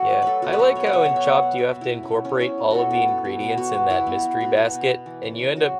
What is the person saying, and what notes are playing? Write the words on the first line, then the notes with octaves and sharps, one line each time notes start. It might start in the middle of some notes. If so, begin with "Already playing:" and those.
Yeah, I like how in Chopped you have to incorporate all of the ingredients in that mystery basket, and you end up
Already playing: A3 F#4 A4
F#3
A3 A4 B4
B2 F#4
B4
F#3 A4
B2 C#5
F#5
B2 E5
B3 C#5
E5
B3 F#5
B2
B2 E5
B3
E4
B2
C#4
B3
B3 C#4
B3 E4
B2
B2 F#4 A4
B3 A4
B2
B3
B2
B3 F#4
B3
B2 E4
B3
B3
B2
B2
B3
B3
E3
C#3
C#3
B3 F#4